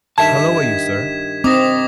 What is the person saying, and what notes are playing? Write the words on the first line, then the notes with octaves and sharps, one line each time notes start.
Holloa, you sir!'
G2 D#3 E5 A5 G#6 B6 E7
C4 D#4 D6 D#6 A#6